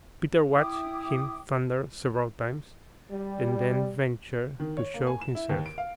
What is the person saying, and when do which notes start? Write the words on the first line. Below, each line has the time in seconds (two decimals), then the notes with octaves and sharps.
Peter watched him thunder several times and then ventured to show himself.
0.55 E4 G5 D6 D#6
3.11 G3
4.60 D#3
4.77 C#5
4.94 A#3
5.07 G#5
5.21 E7
5.35 E4
5.49 D#2
5.66 D7
5.78 F5